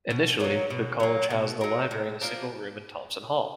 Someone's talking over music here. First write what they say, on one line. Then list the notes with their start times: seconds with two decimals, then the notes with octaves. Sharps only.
Initially, the College housed the library in a single room in Thompson Hall.
0.10 B2
0.40 F#3 A#3
0.70 B2
1.00 F#3 A#3
1.30 B2
1.61 F#3 A#3
1.91 A2
2.21 F3 A#3 D4